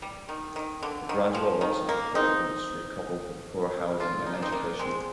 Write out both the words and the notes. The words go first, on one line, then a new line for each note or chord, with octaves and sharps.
The gradual loss of the coal industry coupled with poor housing and education.
G3
D#3
D#3
D3
D#3
F3
D#3
A#3
C4 D#4
D4 F4
D#4
D4
C4 D#4
A#3 D4
G#3 C4